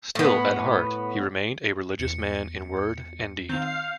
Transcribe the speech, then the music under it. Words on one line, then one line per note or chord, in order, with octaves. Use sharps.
Still, at heart, he remained a religious man in word and deed.
A2 B3
E2 C#7
D#3 C4 F5 G6 F7